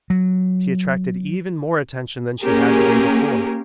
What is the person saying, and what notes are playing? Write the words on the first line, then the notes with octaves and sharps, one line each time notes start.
She attracted even more attention than she had the day before.
F#3
A#3 C#4 G4 G#4 A#4